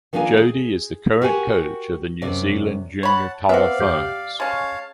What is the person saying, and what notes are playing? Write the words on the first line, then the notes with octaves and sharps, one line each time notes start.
Jody is the current coach of the New Zealand Junior Tall Ferns.
D#3 F3 A#3 D4 A#4 G#5
G#4
F#4 G4 A#4 G#5
F#2 C3 D5
C#5 F#5 A5 B5
B3 C4 F#4 D5 E5 F5
F2 G4
G#3 C#4 C#5 F5 A5